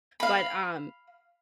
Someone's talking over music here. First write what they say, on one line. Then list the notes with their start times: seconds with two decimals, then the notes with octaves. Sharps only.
But, um,
0.20 F5 B5